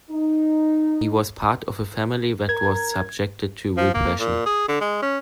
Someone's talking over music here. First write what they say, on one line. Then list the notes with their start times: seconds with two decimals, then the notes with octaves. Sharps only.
He was part of a family that was subjected to repression.
0.10 D#4
2.49 A#4 G#6
3.77 F3
3.94 A#3
4.20 A#2
4.46 G#4
4.68 D3
4.81 G#3
5.03 C#4